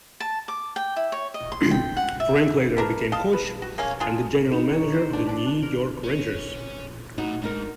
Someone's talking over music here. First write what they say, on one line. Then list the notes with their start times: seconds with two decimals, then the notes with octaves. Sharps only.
Frank later became coach and the general manager of the New York Rangers.
0.20 A5
0.48 D6
0.76 G5
0.96 E4
1.12 C#5
1.34 D#5
1.52 C6
1.71 G5
1.97 F#5
2.20 E5
2.77 B3 D4 A#4
3.12 D#5 F5 A5
3.33 B4
3.62 F#4
3.78 A#3 C#4 F5
4.00 D4 F4 G#4
4.52 D#4
4.73 C#5
4.93 C5
5.13 D4
5.29 D4
5.48 D4
5.63 A#4
6.04 C#4
7.18 A2 D#4 F#4
7.42 G#2 D4 D#4 A#4